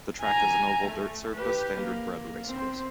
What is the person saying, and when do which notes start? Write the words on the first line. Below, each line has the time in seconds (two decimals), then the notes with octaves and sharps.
The track is an oval dirt surface standardbred race course.
0.20 G#5 A#5
0.82 A3
1.35 G4 B4
1.78 A#3
2.47 C4